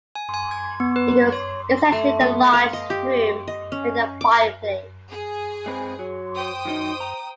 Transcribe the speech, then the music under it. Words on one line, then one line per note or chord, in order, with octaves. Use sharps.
It was essentially a large room with a fireplace.
G#5
G#5
G#6
B3
B4
C#5
A3
B3
F5
D#5
G4
D#5
C#4
D6
G#4
G#3 C4 B4
F#3
C5 G5 D#6
D#3 F#3 D#4
A#5